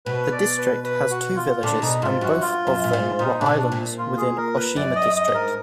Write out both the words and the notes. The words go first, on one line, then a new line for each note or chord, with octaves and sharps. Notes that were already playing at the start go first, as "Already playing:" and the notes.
The district has two villages and both of them were islands within Oshima District.
B2 B4
D5
B4
B4
F#4
F4
A#2 D3 D4
B2 D#4
G#2 F4
F#2 F#4
F4
F#2
A#2
G#2
A#2 D#4
A#2 D4
B2
D4
A#2
F4
G#4
A#4
B4
F#2 D5
D#5
F#2
D#5
G#2
A#4